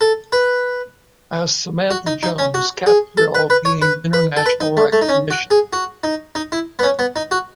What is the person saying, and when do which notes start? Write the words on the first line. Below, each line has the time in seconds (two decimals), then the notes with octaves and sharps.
As Samantha Jones, Cattrall gained international recognition.
0.01 A4
0.32 B4
1.91 F#4
2.07 D#4
2.23 D#4
2.38 C#4
2.54 F#4
2.86 G#4
3.17 A4
3.35 B4
3.50 B4
3.65 C#5
3.82 B4
4.13 B4
4.37 A4
4.46 B4
4.60 D#4
4.77 A3
4.93 A3
5.01 D#4
5.09 C#4
5.31 F#4
5.51 G#4
5.73 F#4
6.03 D#4
6.35 D#4
6.52 E4
6.79 B3
6.83 C#4
6.99 B3
7.16 D#4
7.31 F#4